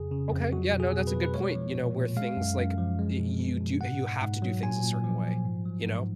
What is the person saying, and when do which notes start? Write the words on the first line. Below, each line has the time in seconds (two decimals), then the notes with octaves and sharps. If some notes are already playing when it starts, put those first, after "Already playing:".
Okay, yeah, no, that's a good point, you know, where things, like y you do you have to do things a certain way, you know?
Already playing: F2 C#3 G#4
0.11 C#3
0.32 F2
0.52 F#3 F#4
0.73 B2
0.80 G#4
0.94 B2
1.07 B4
1.14 B2
1.23 B4
1.34 G#3 C#5
1.55 F3
1.75 A#2
1.96 A#2
2.17 G#3 F5
2.37 F#2
2.58 F#2
2.78 F3
2.99 G#3
3.19 B2
3.40 B2
3.61 B2
3.80 G#2 F#5
4.01 G#2
4.22 G#2
4.42 F#3
4.63 A#2 G#5
4.83 A#2
5.04 F3
5.24 F3
5.45 G#2
5.65 F#3
5.86 G#2